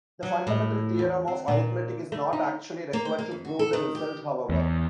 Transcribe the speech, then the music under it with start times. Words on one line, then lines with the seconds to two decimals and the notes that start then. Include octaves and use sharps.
The fundamental theorem of arithmetic is not actually required to prove the result, however.
0.23 F#3
0.47 A2
0.99 E2
1.28 C4
1.48 A#2
2.12 A3
2.33 D#4
2.93 A#3
3.05 C5
3.18 A#3
3.31 F2
3.45 F#4
3.59 A4
3.73 D#3
3.95 G4
4.49 E2